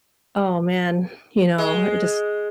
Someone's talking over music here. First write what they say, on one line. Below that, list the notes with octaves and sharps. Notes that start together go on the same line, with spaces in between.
oh man, you know, just
G#3